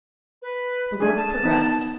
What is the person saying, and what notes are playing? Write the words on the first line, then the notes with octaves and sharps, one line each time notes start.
The work progressed.
B4
D4 G#4 G#5
A5
B3 D#4